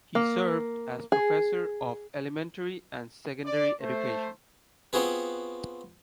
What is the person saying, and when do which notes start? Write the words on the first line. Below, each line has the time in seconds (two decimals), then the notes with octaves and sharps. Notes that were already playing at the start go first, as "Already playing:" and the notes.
He served as Professor of Elementary and Secondary Education.
0.15 A#3
1.12 G#4
3.45 D5
3.81 A3 C5
4.93 B3 C4 F4 F#4 G#4 B4